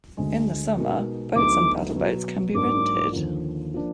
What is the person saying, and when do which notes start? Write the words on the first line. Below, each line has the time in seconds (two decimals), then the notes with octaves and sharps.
In the summer, boats and paddle boats can be rented.
0.17 D2 D3 G#3
0.76 B2 G#3 D#4 A#4
1.36 D2 D3 F#3 B3 D#4 D6
1.95 B2 F#3 B3
2.54 G#2 F#3 A#3 D4 D6
3.13 D#2 D3 F3
3.74 F3 A#3 D4